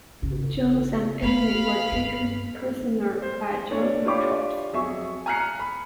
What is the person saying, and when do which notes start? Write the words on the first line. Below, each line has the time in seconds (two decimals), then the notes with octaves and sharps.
Johns and Amey were taken prisoner by German troops.
0.22 G#1 C#3
1.22 A3 A#3 F5 B5
1.92 G2
3.22 C5
3.71 D4 C#5
4.05 D4 F4 G4 C#5 B5 D6
4.73 F2 F#3 G#4 E5 C#6
5.26 G#5 A#5 F6 F#6 C7 C#7
5.59 B5